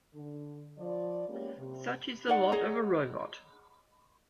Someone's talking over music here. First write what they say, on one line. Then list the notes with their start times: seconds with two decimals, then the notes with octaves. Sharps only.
Such is the lot of a robot.
0.14 D3
0.78 F3 D5
1.29 G#3 A#3 B3 C#4 G4
1.58 C3
2.28 D#4 D5 F#5
2.52 G#4 C#5 D#5 A#5